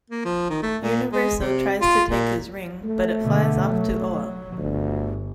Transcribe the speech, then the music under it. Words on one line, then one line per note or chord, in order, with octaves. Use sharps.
Universo tries to take his ring, but it flies off to Oa.
A#3
F3
D#3
A3
A#2
G#3
C3
F4
A#2
A3
B2 D3
F#3
G1 D2